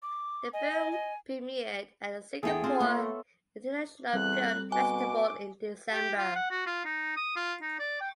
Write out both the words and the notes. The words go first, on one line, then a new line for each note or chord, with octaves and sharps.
The film premiered at the Singapore International Film Festival in December.
D6
D#5 G#5
D#5
E2 B3 G#4 A4 G5
C4 F4
A#3 C#5 E5 C6
A3 B3
E2 G3 C4 A4 F#6
B2 G#5 D6
G4
F4
F#5
F#4
F4
D#4
D#6
F4
D#4
D5
G5